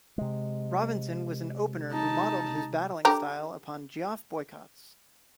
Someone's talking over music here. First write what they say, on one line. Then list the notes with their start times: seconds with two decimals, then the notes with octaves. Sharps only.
Robinson was an opener who modelled his batting style upon Geoff Boycott's.
0.18 C3 G#3
1.91 D#4 A5
3.05 D3 G4 A#5